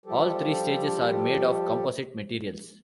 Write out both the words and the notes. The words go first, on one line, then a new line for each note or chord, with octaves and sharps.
All three stages are made of composite materials.
F3 G3 G4 A4